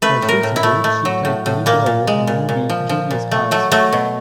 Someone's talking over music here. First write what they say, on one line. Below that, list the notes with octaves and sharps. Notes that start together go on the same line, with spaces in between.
Most recently she played the lead role in the movie "Julia's Eyes".
A3 B4
A2
A#4
A2
E4
A3
A3
F#3
A2
A2
A#2 A#3
A#2
G#3
A#2
A#2
F3
F3
A#2
A3
F#3 A3
F#3 A3
B2